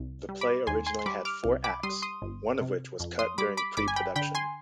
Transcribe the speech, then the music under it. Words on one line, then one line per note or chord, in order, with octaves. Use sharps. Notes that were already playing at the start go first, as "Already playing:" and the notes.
The play originally had four acts, one of which was cut during pre-production.
Already playing: C2
G3
B5 D6
D#2 G#5 C6
G#5 C6
C6
G3 B5 D6
D6 F6
C2
B5 D6
G3 C6 D#6
C6 D#6
G1
C3
F2
C6 D#6
G3 B5 D6
B5 D6
G1 B5 D6
G#5
G5 B5
D3 G5 B5
G#5 C6